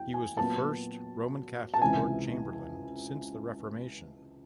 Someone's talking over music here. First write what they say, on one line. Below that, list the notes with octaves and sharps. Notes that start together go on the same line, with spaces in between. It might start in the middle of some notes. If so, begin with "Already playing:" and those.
He was the first Roman Catholic Lord Chamberlain since the Reformation.
Already playing: E2 G5
G#5
A#2 F#3 B3 A5
A5
C#2 C3 E3 G#5